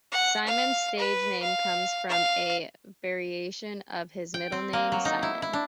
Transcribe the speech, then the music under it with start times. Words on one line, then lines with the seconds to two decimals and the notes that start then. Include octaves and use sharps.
Cymone's stage name comes from a variation of his middle name, Simon.
0.12 F#5
0.46 F5
0.99 B4
1.42 F5
2.09 F5
4.34 G5
4.52 C4
4.73 A#3
4.92 F#3
5.05 D#4
5.23 E4
5.42 E4
5.53 D4